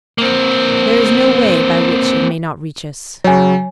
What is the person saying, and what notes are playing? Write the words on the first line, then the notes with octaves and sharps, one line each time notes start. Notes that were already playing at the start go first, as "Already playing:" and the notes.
There is no way by which it may not reach us.
A#3 C4
C#3 F#3 C#5 G#5